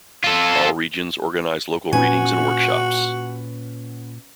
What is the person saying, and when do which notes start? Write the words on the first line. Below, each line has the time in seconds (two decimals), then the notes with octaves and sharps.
All regions organize local readings and workshops.
0.24 F4 A4
1.93 A#2 C#4 F#4 B4 F#5 G#5